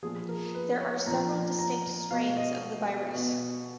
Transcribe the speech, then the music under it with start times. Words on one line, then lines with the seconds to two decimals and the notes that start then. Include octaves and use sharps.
There are several distinct strains of the virus.
0.03 A#2 F3 G#4
0.29 A#4
0.54 B4
0.81 C#5
1.06 A#2 F3 A#5
1.59 A#5
2.11 B2 F5
2.37 D#5
3.15 B2